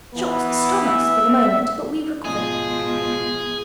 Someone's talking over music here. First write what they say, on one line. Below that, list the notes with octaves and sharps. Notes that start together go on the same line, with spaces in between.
Shocks stun us for the moment, but we recover.
E3 B3
E5
G#2 B2 F3 G#4